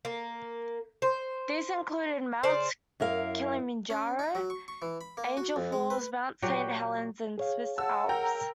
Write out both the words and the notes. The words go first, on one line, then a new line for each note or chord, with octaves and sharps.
These included Mount Kilimanjaro, Angel Falls, Mount Saint Helens, and the Swiss Alps.
A#3
C5
C#3 C5 D5
F#2 E4 A#4 F5
C#4
D#4
F#3
C#6
C#6
E3
B5
A#3
F#4
F2
G#3
B4
A#2 F#3 F#4 G4
G#4 C#5 F5
F#5 A5 E6
A#4 G5 A#5